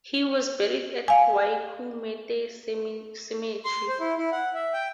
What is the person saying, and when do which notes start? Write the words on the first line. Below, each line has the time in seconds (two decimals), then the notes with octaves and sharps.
He was buried at Waikumete Cemetery.
1.08 F5 G#5
3.65 C6
3.88 C5
4.00 E4
4.17 E4
4.32 F#5
4.54 E5
4.73 G5